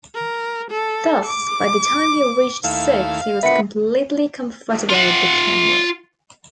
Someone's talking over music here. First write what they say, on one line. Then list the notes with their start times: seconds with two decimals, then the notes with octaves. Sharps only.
Thus, by the time he reached six, he was completely comfortable with the camera.
0.15 A#4
0.71 A4
1.26 D6
2.64 D#2 A3 E4 F5
3.43 D2 A#2 B3 B4 E5 F#5 C#7
4.90 F4 F#5